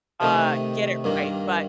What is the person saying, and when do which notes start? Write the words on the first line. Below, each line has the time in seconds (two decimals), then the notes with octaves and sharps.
uh, get it right, but,
0.21 C3 D#3 A3 D#4
1.04 G2 D#3 A#3